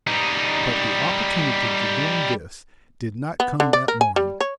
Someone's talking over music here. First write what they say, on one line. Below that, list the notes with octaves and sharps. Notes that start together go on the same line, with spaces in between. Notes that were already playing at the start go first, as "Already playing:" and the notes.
But the opportunity for doing this did not come that morning.
G3 D#4
B3
D3
D5
A#4
G#5
G3
C#5